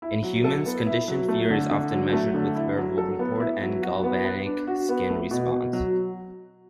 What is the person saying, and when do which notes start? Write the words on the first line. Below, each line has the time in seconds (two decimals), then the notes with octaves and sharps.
In humans, conditioned fear is often measured with verbal report and galvanic skin response.
0.02 E4
0.23 F#3
0.44 A4
0.66 B3
0.87 E4
1.08 F#3
1.29 A3
1.50 D3
1.71 D3
1.93 F#3
2.13 A3
2.34 D3
2.55 E4
2.77 F#3
2.98 A4
3.19 B3
3.40 E4
3.61 F#3
3.83 F#4
4.03 B3
4.25 B4
4.46 D4
4.67 F#4
4.89 B3
5.09 A3
5.31 B2
5.52 B2
5.73 F#3